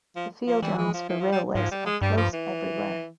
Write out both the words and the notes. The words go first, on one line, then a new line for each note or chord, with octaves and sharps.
The field lines for railways are close everywhere.
F3
F3
E3 G3
G#3
F3
E3
F3
G3
G#2 F3
G3
G#3
G2 G3
F3
E3